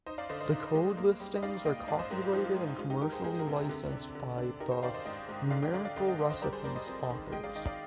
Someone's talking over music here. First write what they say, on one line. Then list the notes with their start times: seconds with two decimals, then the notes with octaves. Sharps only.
The code listings are copyrighted and commercially licensed by the "Numerical Recipes" authors.
0.06 D#4 C5 D#5
0.18 D5 F5
0.29 D3 C5 D#5
0.40 C5 D#5
0.52 D#4
0.75 G#3
0.97 A#3
1.20 G3
1.35 D#5
1.43 D#4 D5 F5
1.65 A#3 D#5 G5
1.88 G#2 D5 F5
1.99 C5 D#5
2.10 G#2 G4 A#4
2.22 F4
2.33 F3 D#4
2.44 F4
2.56 G#2 F4
2.67 D#4
2.79 G#3 F4
2.90 D#4 G4
3.01 D#4 G4 A#4
3.13 G#4 C5
3.24 G#3 G#4 C5
3.39 G4 A#4
3.47 C3
3.69 D3
3.92 D4
4.15 D3
4.38 D4
4.60 D#4 G4 A#4
4.71 G#4 C5
4.83 D#3 D5 F5
4.94 C5 D#5
5.05 G#2 D#5 G5
5.29 G#2
5.50 D3 D5 F5
5.62 D#5 G5
5.73 D3 D5 F5
5.85 D5 F5
5.96 D3 D#5 G5
6.08 D#5 G5
6.19 D3
6.30 C5 D#5
6.42 G3 A#4 D5
6.53 G#4 C5
6.64 G3 A#4 D5
6.75 C5 D#5
6.87 F2
7.10 D#3
7.32 G#3 D#5 G5
7.43 D5 F5
7.55 D#3 D#5 G5
7.66 D5 F5